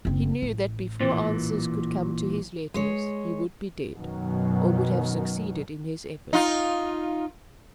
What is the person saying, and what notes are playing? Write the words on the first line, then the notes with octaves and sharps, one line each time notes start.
He knew that before answers could come to his letters, he would be dead, or would have succeeded in his efforts.
F#1 C4
A1
A#2 E3
G#3 C#5
F#2 B2 D#3 F#3
D#4 F4